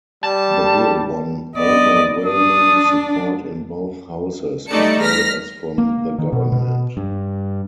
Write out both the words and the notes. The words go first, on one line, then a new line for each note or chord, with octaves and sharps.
The Bill won overwhelming support in both Houses as well as from the Government.
G3 A5
B3 D5 D#5
D4 D#6
G3 A3 D#4 D5 A5 C#7
F6 A#6 B6
A#3
D#3
B2
B2
G2